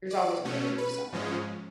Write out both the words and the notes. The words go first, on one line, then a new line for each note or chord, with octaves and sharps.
there's always a way to do something.
D5
B2 A3 C#4
B4
G#2 F3 G#3 C#4